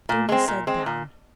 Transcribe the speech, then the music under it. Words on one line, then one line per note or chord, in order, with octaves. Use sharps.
Dounia sat down.
A#2
G#3 C4
A#2
G#3 C4
A#2